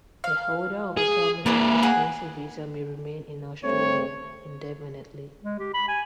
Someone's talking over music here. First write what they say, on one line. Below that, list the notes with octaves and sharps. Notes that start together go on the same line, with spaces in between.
A holder of a permanent residency visa may remain in Australia indefinitely.
F5
G#4
A#3 D4 E4 G#4 B4
G#4 F#5 G#5
G2 A3 C4 C#5
G#3
G4
B5
G#5